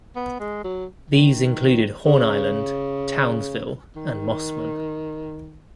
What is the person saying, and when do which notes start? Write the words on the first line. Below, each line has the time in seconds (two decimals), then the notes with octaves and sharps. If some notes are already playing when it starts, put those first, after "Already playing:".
These included Horn Island, Townsville and Mossman.
0.16 B3
0.40 G#3
0.64 F#3
1.10 D#3
2.05 C#3
3.96 D#3